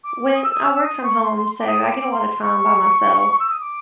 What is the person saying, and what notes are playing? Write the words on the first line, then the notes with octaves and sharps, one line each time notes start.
with I work from home, so I get a lotta time by myself
D6
D#6
E6
D#6
E6
D6
D#6
C#6
C6
C6
D6
D#6
D6
C6
C#6
E6
D#6
D6